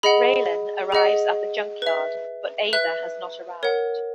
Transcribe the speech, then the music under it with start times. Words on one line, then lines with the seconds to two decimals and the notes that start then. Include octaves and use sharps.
Raylan arrives at the junkyard but Ava has not arrived.
0.03 G#4 D#5 F#5 B5
0.92 G#4 D#5 F#5
1.82 B4 E5
2.73 B4 E5 F#6
3.63 A#4 C#5 F#5